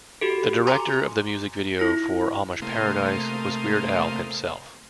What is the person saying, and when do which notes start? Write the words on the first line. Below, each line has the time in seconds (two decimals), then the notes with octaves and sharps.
The director of the music video for "Amish Paradise" was Weird Al himself.
0.21 F#4 G4 A4
0.67 G#5 A#5 C6 D6
1.79 E4 A#6
2.62 C3 A3 A#3 F5 C6 D#6